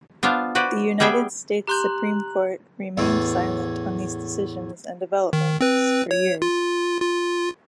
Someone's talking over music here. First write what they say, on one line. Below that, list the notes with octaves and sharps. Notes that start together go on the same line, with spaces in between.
The United States Supreme Court remained silent on these decisions and developments for years.
B3 D4 F4 C5 F5
F#4 B4 C5 D5
G3 B3 G#4 E5 G5
G4 A#5 C6 F#6 G6 F#7
E2 A2
D#3
C4 B4
C#5
F4
F4